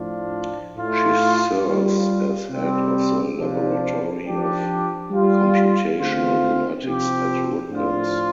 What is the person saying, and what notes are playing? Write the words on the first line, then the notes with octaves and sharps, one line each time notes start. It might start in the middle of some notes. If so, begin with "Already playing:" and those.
She serves as Head of the Laboratory of Computational Genetics at Rutgers.
Already playing: A2 F3 D4 F4
A2 A3 F4
G3 F4
C3 G3 C4
C3 F3 D4
F3 D4 G4
G3 F4
D3 A3 C4 F4
C3 F3 C4 G4
A2 F3 D4 F4